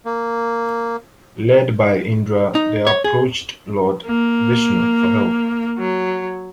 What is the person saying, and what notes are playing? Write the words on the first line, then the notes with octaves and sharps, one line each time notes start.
Led by Indra, they approached Lord Vishnu for help.
A#3
D#4
C#5
G#4
A#3
F#3